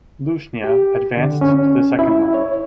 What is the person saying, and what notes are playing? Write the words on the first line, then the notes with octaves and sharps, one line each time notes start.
Lushnja advanced to the second round.
G4
D3
C#4
E4
C#5